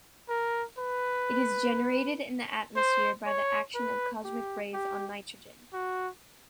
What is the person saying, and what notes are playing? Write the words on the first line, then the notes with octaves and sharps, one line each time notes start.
It is generated in the atmosphere by the action of cosmic rays on nitrogen.
A#4
B4
C5
C#5
B4
G4
G4
F#4